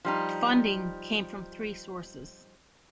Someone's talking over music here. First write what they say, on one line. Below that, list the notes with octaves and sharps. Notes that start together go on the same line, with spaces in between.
Funding came from three sources.
F3 G3 D#4